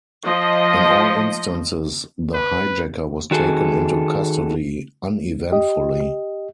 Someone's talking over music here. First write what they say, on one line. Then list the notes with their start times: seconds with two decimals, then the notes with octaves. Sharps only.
In all instances, the hijacker was taken into custody uneventfully.
0.24 F3 D#5
2.34 B4
3.31 D#3 F#4 G#4 A4
5.52 G4 D#5